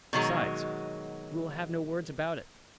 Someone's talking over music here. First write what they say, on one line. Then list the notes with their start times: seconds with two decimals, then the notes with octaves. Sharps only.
Besides, we will have no words about it.
0.13 B2 D#3 F#3 G#3